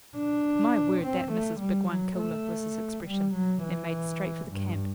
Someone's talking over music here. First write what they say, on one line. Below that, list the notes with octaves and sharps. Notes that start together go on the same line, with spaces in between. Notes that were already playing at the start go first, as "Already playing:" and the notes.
"My word, that missis big one coolah!" was his expression, and made straight for the camp.
D4
C4
A3
G3
F#3
A3
G3
F#3
E3
G2